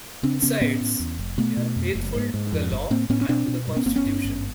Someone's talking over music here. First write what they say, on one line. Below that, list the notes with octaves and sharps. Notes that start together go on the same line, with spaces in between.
Besides, they are faithful to the law and to the constitution.
C#3 C4 D4
C#3 B3 C#4
A2 B3 C#4
A2
E2
F1
B2 A3 B3
B2
F2
F#1
G#2
G#2
F2
G1
A2 A#3 C4
A2 B3 C#4
C#4
B2 C4 D4
B2
G2
B3 C#4
G1 A#3 C4
B3 C#4
G2
G#1